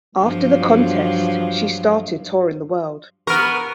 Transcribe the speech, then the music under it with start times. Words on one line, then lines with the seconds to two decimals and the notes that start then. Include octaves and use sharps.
After the contest, she started touring the world.
0.22 G2 F3 F#3
3.27 B3 A#4 C#6 F6